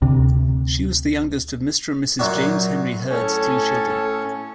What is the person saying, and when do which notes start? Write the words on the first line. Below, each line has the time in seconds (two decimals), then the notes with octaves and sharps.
She was the youngest of Mr and Mrs James Henry Hird's three children.
0.02 D2 C3
2.19 F#2 A#2 F#4
3.10 A2 C#4 A4 C#5